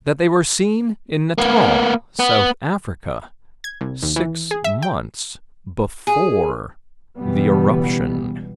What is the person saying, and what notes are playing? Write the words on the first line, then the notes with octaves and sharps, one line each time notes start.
That they were seen in Natal, South Africa, six months before the eruption.
A#3 B3
B3
G#6
C2
D#2
E3
G#4
E5
G5
G#4
C#2 B2 E3 G3 B3